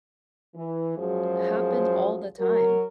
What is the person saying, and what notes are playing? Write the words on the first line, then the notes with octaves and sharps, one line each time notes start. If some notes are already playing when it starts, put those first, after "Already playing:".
happen all the time.
E3
F#2 F3 F#3 G#3 G#4 C5
F#3 A#4